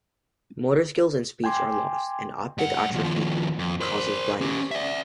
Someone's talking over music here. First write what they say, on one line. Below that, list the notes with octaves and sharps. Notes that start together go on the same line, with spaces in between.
Motor skills and speech are lost, and optic atrophy causes blindness.
G5 G#5 C6 D6
G2 F#5
D#2 F3
F2
A#4 C5
C#4 G4
D5 E5